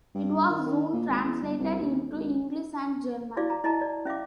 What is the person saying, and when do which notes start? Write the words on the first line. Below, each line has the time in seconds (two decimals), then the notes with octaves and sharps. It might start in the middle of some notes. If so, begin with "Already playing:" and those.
It was soon translated into English and German.
0.15 G2
0.50 D#3
0.66 D#3
0.93 A#2
1.09 G#1
1.24 E2
1.42 G1
1.59 C2
1.80 D#2
2.12 G#1
3.37 E4 F#4 D5 F5 D6
3.50 A#5
3.64 E4 D#5 E5 A5 A#5
3.81 D5
4.05 C#4 E5 F5 D6